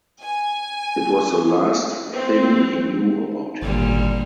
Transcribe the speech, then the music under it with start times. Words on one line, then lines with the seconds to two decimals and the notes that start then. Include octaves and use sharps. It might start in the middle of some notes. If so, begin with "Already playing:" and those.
It was the last thing he knew about him.
0.22 G#5
2.15 C4
3.62 G#1 A#2 D3 G3